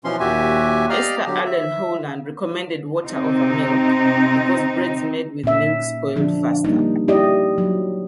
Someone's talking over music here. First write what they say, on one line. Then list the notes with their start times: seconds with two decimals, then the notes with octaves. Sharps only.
Esther Allen Howland recommended water over milk because breads made with milk spoiled faster.
0.04 B2 E3 F3 C#4 C6
0.20 D#2 A#2 F#4 G4 E5 G#5
0.90 G4 D5 D#5 F5 A#5 F6
1.26 D3 F#3 G4
1.46 E5
3.05 C3 C4 D#4
5.44 A#2 C#4 E5
6.16 D3 F3 D4
6.65 G3 A#3 D#4
7.08 E4 G4 D5 D#5
7.58 F#3